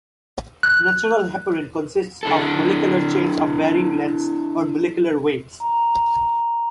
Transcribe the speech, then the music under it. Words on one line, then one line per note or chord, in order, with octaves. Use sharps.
Natural heparin consists of molecular chains of varying lengths, or molecular weights.
F#6
D4 E4 A4
A#5